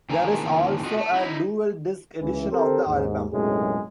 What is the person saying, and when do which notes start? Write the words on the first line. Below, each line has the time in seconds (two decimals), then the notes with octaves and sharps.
There is also a DualDisc edition of the album.
0.10 E2 A#2 D3 D#3 G#5 A#5
0.83 F4 F#4 D#5
0.97 A3
1.13 D#4 E4
2.21 C#2 E3
2.52 C4 G4 A4 A#4 C5
2.87 D#2 G#2
3.32 B1 F#2 A2 C3 G#3 G#4